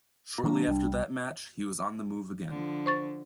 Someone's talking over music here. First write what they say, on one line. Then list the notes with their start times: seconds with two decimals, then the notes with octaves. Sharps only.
Shortly after that match, he was on the move again.
0.44 D#3 F#3 A#3 D4
0.67 C2 G3
2.49 D3 F3
2.86 C5 C#6 A6